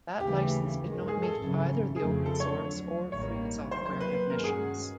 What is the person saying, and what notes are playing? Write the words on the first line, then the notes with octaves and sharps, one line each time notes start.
That license did not meet either the open source or free software definitions.
D#2 C#3 E3 A3 G4
G2 D#3 G#3
G#4
A4
G#1 F#2 C#3 E3
F2 C#3 F3 A3 C4 G#4
A4
C#5
D2 D3 F#3
A1 G2 D#3 G3 A#3 C#5
D#2 D#3 F#3 A#3 C5
C5
B4
G2 D#3 G#3 C#4 F#4 A#4
G#4